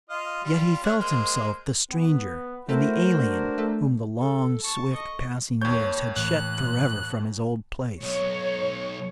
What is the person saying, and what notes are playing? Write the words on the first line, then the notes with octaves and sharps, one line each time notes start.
Yet he felt himself the stranger and the alien, whom the long, swift-passing years had shut forever from his old place.
F4 D#5 F5
G3 F4
C#4 D4 F#5
G#3 A#3 C5
B3
A3 E4 F#4 A#4 C5
D4
A3
A4
A5 C#6
D#5 C#6
D#2 C#5 G6
A2 E3 F#6
B1 C#5